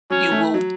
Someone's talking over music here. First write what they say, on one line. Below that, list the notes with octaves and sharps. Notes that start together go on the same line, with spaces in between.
you will,
F#3 C#4
A3
F#3